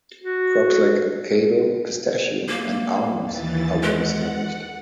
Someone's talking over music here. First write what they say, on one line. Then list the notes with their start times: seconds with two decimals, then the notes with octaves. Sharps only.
Crops like avocado, pistachio and almonds are well established.
0.24 F#4
2.48 A#3
3.21 D#2 E3 A6
3.83 G#3 F#5